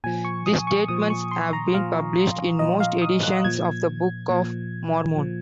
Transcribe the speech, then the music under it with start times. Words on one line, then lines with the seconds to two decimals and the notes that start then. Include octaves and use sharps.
These statements have been published in most editions of the Book of Mormon.
0.04 A#2 F3 G#5
0.25 C#6
0.46 D#6
0.67 C#6
0.88 A#2 F3 D#6
1.10 C#6
1.31 C6
1.53 A#5
1.74 A#2 F3 F5
2.59 A#2 F3 D#5
2.80 F5
3.02 D#6
3.23 F#6
3.44 A#2 F3 G#6
4.29 A#2 F3
5.15 A#2 F3